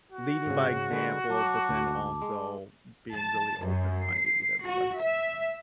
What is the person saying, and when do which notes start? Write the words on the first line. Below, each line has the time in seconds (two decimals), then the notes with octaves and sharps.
leading by example, but then also being really open-minded with everybody.
0.12 F#4
0.46 G#2 C#3
0.91 D3 G#3 B3
1.30 F#3 A5 D6
1.69 D2
2.22 G#3
3.14 A5
3.64 F#2
4.12 C7
4.67 F#4
5.00 E5